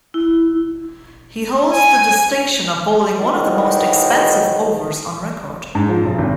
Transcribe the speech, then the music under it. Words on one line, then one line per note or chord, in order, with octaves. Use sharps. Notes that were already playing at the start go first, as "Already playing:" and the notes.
He holds the distinction of bowling one of the most expensive overs on record.
E4
G#5
B1 G#2 D#3 E3 F#3
G#2
F3
B1
G#1